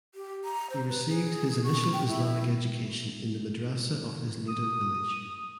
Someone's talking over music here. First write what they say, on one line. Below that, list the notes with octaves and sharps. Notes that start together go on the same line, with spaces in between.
He received his initial Islamic education in the madrasah of his native village.
G4
A#5
C5
B4
G#4
C#6
G5
E4
D#6